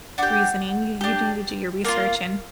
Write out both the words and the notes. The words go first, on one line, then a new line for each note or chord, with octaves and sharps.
reasoning, you you do need to do your research, and
D4 G4 F#5
D4 G4
A#3 D4 F4